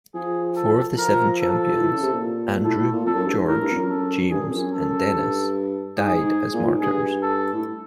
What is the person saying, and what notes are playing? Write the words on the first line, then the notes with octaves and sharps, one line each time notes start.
Four of the Seven Champions-Andrew, George, James, and Denis-died as martyrs.
F3 G#4
A4
F3 A#4
A4
F3
E3
C#3
C3
A#2
A2 A4
A2
A#2
F2 A4
F#2
G2
G#2
A2 A#4
G2
F2
F#2
A4
G2 G#4
F#2
F2
F#2
A4
G2
G#2 G#4
G#2
A#2
G#2
G2 G#4
A4
A2